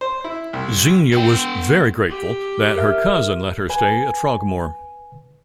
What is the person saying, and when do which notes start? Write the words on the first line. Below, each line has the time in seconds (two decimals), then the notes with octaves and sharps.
Xenia was "very grateful" that her cousin let her stay at Frogmore.
0.01 C5
0.24 E4
0.53 C2
1.13 B3 G5
2.10 G4
2.76 A#4 E5 F6
3.69 B4 G#5